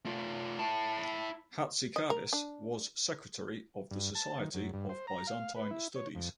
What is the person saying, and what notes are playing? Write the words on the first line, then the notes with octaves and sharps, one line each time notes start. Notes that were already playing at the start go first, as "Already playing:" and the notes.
Hatzidakis was secretary of the Society of Byzantine Studies.
A3 F4
E4 A5
D#5
A#4
D4
G2
A5
D#3
F#2
G2
C5
A#5
F5
B4
E4
C#5
F2